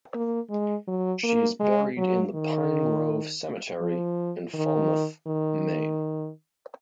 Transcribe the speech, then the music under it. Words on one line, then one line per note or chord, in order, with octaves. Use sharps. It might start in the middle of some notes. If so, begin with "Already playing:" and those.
She is buried in the Pine Grove Cemetery, in Falmouth, Maine.
A#3
G#3
F#3
A#3
G#3
F#3
D#3
F3
D#3
D#3